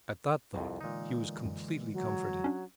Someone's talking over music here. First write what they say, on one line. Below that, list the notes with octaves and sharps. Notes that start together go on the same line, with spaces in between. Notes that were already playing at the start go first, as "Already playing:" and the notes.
At that thought he was completely comforted.
C2 F2
A#2 D3 E3 G#3 D#4
F#2
F#3
C#4 D4